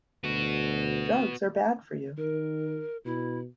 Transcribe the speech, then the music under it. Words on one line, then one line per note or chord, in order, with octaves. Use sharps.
Drugs are bad for you.
D2 B3 F#4
D#3 A#4
B2 E4